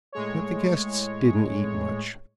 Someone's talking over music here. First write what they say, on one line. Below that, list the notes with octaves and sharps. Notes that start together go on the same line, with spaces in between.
But the guests didn't eat much.
A2 G#3 C#5